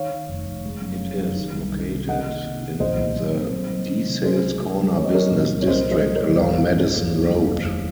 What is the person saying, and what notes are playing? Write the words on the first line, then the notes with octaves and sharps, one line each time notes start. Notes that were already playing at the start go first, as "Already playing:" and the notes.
It is located in the DeSales Corner business district, along Madison Road.
Already playing: D#3 C#5 F5
D#3
F1
F1
G#3
F#2
G#3
F#2
D#3
C2
D#3
C3
D#3 D#5 F#5
A#3
C3
D#3
A#1 C5 D#5
A#1
F#3
C4
F#3
F#3
D#3
C3
F#3 G#4 C5
C#2
C#2
F#3
C4 C#5
D#5
F#3 A#4 C#5
A#2
C2
C#5
C2 C5 D#5
F#3
C5 D#5
F#3
A#4 C#5
C2
G#1 C#5 F5
G#2
G#1
A#3
D#2
F#3
F1
F1